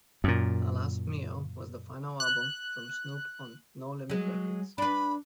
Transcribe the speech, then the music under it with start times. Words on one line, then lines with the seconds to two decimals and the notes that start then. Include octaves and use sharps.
"Tha Last Meal" was the final album from Snoop on No Limit Records.
0.24 F#2 A#2
2.20 F#6
4.10 F#3 G#3
4.78 D4 B4 B5